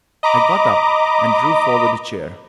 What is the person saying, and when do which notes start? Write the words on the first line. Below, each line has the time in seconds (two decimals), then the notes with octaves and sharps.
I got up and drew forward a chair.
0.23 D#5 A#5 B5 D6